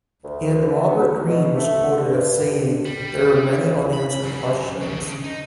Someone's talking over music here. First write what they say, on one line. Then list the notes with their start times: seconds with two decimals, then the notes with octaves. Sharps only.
And Robert Green was quoted as saying There are many unanswered questions.
0.24 D2
0.70 E3
0.88 B3
1.01 B3
1.28 B2
1.56 A3
2.05 G2
2.85 G3
3.93 B5
4.23 F#2
4.81 C#3 D4
5.24 D#4